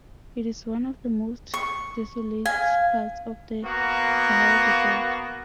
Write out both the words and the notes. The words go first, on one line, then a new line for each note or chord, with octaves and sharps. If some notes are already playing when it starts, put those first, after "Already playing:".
It is one of the most desolate parts of the Sahara Desert.
C#6
F5 G#5
A#3 B3 F#4